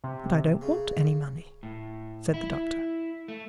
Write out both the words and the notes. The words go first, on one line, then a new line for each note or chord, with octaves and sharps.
"But I don't want any money," said the Doctor.
C3
C#3
A2
E4
A3